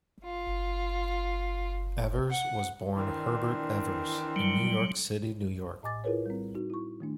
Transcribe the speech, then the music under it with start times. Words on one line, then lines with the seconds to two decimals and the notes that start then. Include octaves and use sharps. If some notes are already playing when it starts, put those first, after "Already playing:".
Evers was born Herbert Evers in New York City, New York.
0.24 F4
2.31 F#5
2.96 D#3 E3 C4 D4
4.36 F#3 G3
5.83 A2 D#5 G#5 D6 A6
6.04 E4 F4 G#4 A#4 B4 C#5
6.26 G3 C4
6.55 D#4 F#4
6.70 E4 C#6
7.00 D#3 A3 D4